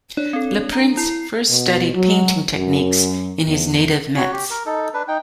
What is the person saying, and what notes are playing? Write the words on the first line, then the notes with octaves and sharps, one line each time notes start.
Le Prince first studied painting techniques in his native Metz.
D4 C#5
C4 A4
A#5
E4 C7
B2
F#3
F#2
E2
F#4 C#5
G4
A#4
D#4 A4
D4 B4
D#4 G5